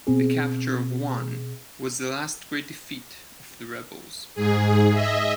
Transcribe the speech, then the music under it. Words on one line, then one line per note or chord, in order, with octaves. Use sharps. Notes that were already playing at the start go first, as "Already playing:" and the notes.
The capture of Wan was the last great defeat of the rebels.
B2 C4 G#4
G#2 G#4
D#5 E5